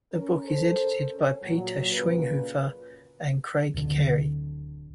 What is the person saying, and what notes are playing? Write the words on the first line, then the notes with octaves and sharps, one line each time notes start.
The book is edited by Peter Schweighofer and Craig Carey.
C#4 A#4
A4 A#4 C5
C#4
A#2 F#3
A#2 C#3 B4
D1 D3